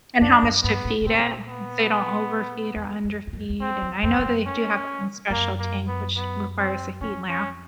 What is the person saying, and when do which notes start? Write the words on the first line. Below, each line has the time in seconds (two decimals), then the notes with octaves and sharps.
And how much to feed it, so you don't overfeed or underfeed, and I know they do have their own special tank, which requires a heat lamp.
0.21 F#2 D4
0.43 F#2
0.63 G2 B3
0.85 A2
1.01 B2
1.06 A#2 C4
1.48 B3
2.76 E2
3.04 F2
3.27 F2
3.33 F#2
3.50 E2
3.60 F2 C4
3.82 E2
4.03 F2 C4
4.19 F2
4.25 F#2
4.47 C#4
5.30 F#2 A#3
5.59 A#3
5.87 B3
6.16 B3
6.58 C4
7.01 F2 C#4
7.29 C#4